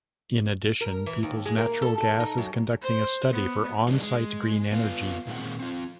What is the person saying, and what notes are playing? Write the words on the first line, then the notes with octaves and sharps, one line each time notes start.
In addition, Peoples Natural Gas is conducting a study for on-site green energy.
A#4
E3
D#2
G#3
A#3
A4
A4
D#4
F#2
C5
B3
E3 G3 G#3 B3 D4 D#4
G#3
B3 F4
A#2 D#3 G#3 C4 F#5
C4 F4